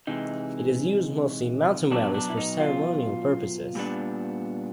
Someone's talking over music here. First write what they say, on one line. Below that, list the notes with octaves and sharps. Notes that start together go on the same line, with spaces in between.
It is used mostly in mountain valleys for ceremonial purposes.
C3 E3 G#3 D#4
B2 F#3 B3 D4
D4
E4
D#4
F4
A#2 G3 B3 D4